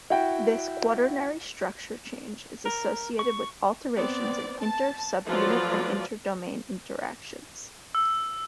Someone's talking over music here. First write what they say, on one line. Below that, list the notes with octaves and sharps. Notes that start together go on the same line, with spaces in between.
This quaternary structure change is associated with alterations in inter-subunit and inter-domain interactions.
E4 F#4 G5
A#4
C#6
B3 C4 D5
A5
F3 F#3 A3 F4 B4 D5
E6